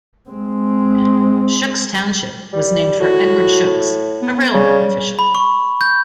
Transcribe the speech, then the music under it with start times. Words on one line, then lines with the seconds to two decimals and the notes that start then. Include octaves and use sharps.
Shooks Township was named for Edward Shooks, a railroad official.
0.30 G#3 C4
2.53 G3
3.00 A2 F#4
4.22 B3
4.54 C#3 G3
5.19 B5
5.35 C#6
5.81 G6